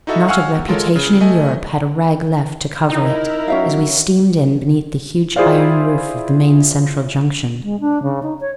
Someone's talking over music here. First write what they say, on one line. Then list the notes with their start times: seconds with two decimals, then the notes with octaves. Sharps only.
Not a reputation in Europe had a rag left to cover it as we steamed in beneath the huge iron roof of the main central junction.
0.07 D#4 E4 F#4 A4 D#5 E5
0.28 F5 F#5 G#5 C#6 E6 F6
0.55 E2
0.68 G#3 F4 A4 A#4 C#5
0.96 C#3
1.20 A3 D#5 G#5
2.90 D#4 E4 A#4
3.48 F#3 C#4 E5 F5
5.36 E4 F4 G#4 C5 D5 F5
7.63 G#3
7.80 D4
8.03 C#3
8.23 D#4
8.41 C#5